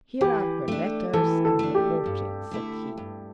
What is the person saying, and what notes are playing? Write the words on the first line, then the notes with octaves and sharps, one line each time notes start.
"Here are her letters and her portrait," said he.
E3 G4
A3 D4
E3 A4
A4
A3 D4
G4
G2
D3 A3 E4
G2